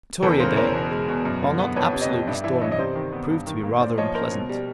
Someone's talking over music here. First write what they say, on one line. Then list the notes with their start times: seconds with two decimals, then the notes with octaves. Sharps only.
Victoria Day, while not absolutely stormy, proved to be rather unpleasant.
0.23 E2 A4 B4
0.40 C#3 A#4 C5
0.52 C#5
0.56 E2 A#4 C5
0.74 B2
0.91 G#3
1.08 B2
1.25 F#2
1.42 D3
1.59 B3
1.76 F2 B4 C#5
1.93 C3
2.01 C#5 D#5
2.10 F2
2.27 G2 D5 E5
2.44 E3 D5 E5
2.61 G2 C#5 D#5
2.72 D#5
2.78 C3 C5 D5
2.95 D#3
3.13 B3
3.30 G2
3.47 D#3
3.63 A#3
3.81 A#2 C5 D5
3.98 F3 C#5 D#5
4.15 C#4 A#4 C5
4.32 B2
4.49 G3